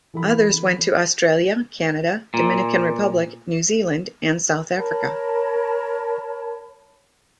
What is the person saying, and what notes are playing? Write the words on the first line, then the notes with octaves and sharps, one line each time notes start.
Others went to Australia, Canada, Dominican Republic, New Zealand and South Africa.
E3 A4 B5
A#2
A#4 C#5 A5 B5